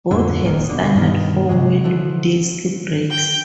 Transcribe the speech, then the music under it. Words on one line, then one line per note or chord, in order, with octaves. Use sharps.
Both had standard four-wheel disc brakes.
F2 A2 D3
D#1 A#2 D#3
B2 D3
G2 B2 D#3
C3 E3 F#3 G#3
D3 E3 F3
G5